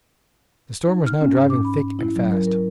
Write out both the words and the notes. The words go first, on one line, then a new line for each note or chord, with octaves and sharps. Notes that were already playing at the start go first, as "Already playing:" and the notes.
The storm was now driving thick and fast.
D#4
F6
C#4
G#2
D6
B5
E4
F#3
A#4
A#4